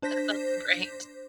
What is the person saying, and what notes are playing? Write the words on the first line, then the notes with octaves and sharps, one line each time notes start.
That's great.
D4 C5 G6 A#6 B6